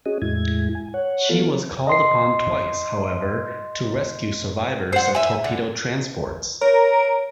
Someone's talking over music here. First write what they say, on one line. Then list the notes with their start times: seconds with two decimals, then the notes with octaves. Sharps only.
She was called upon twice, however, to rescue survivors of torpedoed transports.
0.06 C#4 F#4 G#4 D#5
0.22 E2 A2 G#3 E4 G#6
0.75 G#5
0.94 C#5 F#5
1.29 E3 F3 B3 F4 A4
1.87 D#5 C6 C7
4.92 C5 F#5
5.15 E5 G#5
5.44 D3
6.61 A#4 C#5